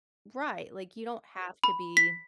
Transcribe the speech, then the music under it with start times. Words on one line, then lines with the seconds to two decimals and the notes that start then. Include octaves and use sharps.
Right. Like, you don't have to be
1.64 B5
1.97 B6